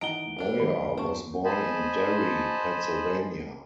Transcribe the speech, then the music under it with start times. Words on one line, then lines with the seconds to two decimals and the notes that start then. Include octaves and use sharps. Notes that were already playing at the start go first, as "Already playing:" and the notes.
Boyer was born in Derry, Pennsylvania.
0.01 D#3 E3 D#5 F#5 A#5 D7 G7
0.39 G3 D4
0.60 D#3 F#3 G4
0.83 F#2
0.98 F#2 F#3 C5 A5 C#6
1.45 C5 D#5 G#5 A5 B5